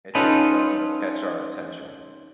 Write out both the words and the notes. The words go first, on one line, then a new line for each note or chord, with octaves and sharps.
it just doesn't catch our attention,
C#4 D#4 F4 A4 B4